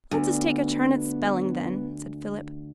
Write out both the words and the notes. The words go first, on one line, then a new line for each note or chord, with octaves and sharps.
'Let us take a turn at spelling, then,' said Philip.
D2 B3